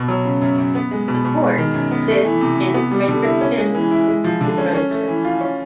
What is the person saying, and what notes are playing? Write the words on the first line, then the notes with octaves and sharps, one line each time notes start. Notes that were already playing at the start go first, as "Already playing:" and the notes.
The court sits in Fredericton, New Brunswick.
Already playing: B2
F#3
C#3
F#2
F#2
B3
G#3
B2
B2
G#3
D#3
F#2
B3
A3
E3
C3
C3
B3
G3
D3
E4
C#4
G#3
E3
E4
G#3
F3
D3
C#4
C#4
A3
E3
F4
C#4